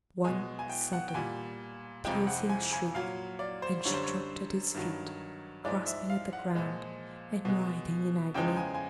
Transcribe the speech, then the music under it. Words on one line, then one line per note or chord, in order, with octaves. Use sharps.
One sudden, piercing shriek, and she dropped at his feet, grasping at the ground, and writhing in agony.
B2 G#3 G#5
G#5
G5
F#5
G5
A#2 G3 G#5
F2 C3 F3 G#3 G5
F#5
G#5
G#5
A#2 F#3 F5
D5
C5
F#2 D3 G3 C#5
C5
C#5
G2 D#3 F#3
G#2 F3 G#3 D5
E5
F5
F#5
A#2 F3 G#3
B2 G#3
E2 C#3 F3 G#3 G5
G#5
G#5